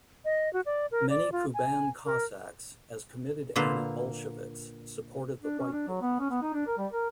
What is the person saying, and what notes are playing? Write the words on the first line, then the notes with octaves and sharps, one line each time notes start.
Many Kuban Cossacks, as committed anti-Bolsheviks, supported the White Movement.
D#5
F#4
D5
A#4
D5
F4
G#5
A#4
A#2 D3 A#3 B4 C5
D4
C#4
D4
F#3
B3
C#4
B3
D#4
D4
A#4
G3
A#4